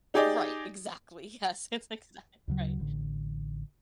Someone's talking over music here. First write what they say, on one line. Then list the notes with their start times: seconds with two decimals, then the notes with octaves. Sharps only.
Right, exactly, yes, that's exactly right.
0.14 D#4 G4 G#4 D5 D#5
2.48 D2 C#3 F#3
2.80 A1 D3